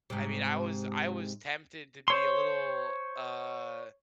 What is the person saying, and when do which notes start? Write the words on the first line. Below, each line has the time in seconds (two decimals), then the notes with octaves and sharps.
I mean, I was I was tempted to be a little, uh,
0.10 G#2 C3
2.08 C5 C#5 C6